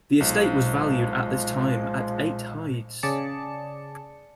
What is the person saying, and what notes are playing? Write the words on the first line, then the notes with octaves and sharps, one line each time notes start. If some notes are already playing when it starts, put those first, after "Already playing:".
The estate was valued at this time at eight hides.
B1 A#2 F3 G#3
C#3 G#4 D5 A5 C#7